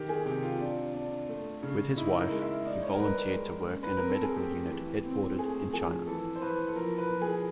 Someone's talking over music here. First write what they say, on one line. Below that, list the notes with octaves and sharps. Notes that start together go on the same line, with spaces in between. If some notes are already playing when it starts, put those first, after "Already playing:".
With his wife, he volunteered to work in a medical unit headquartered in China.
Already playing: D#3 G4
G#4
C3 G4
F4
D4
D4
A3
C#3
D#4 E4
A#4
G#3
E5
D#4 D5
C#5
A#4
G3 B4
A#4
G#3
C#4
B4
C4 A#4
A4
G#4
A3 G4
E3
C4
A3 G#4
F3 G#4
E3 A4
C5
E3 B4
A4
F3 A#4
B4
F3
G#4